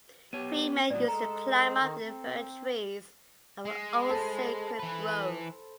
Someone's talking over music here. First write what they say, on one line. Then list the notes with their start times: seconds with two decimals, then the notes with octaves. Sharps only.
Three men used to climb up the fir-trees of an old sacred grove.
0.33 B3 G4 C#5 D#7
0.90 A2 F#3 B3 D5
1.08 G#3 A4 A#5
1.80 D#3
2.01 C4
3.65 G#3
4.09 A4 C5 B5
4.79 E3 B4